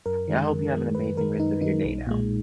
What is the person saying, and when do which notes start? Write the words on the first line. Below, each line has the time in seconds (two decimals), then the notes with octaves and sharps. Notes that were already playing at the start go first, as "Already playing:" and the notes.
and I hope you have an amazing rest of your day now.
0.06 F#2 A#4
0.28 D#3 G#3
0.50 F#2
0.73 D#3 G#3
0.95 F#2 B4
1.17 D#3 G#3 A#4
1.39 F#2 D#4
1.61 D#3 G#3 D#4
1.84 B1
2.07 A#2 G#3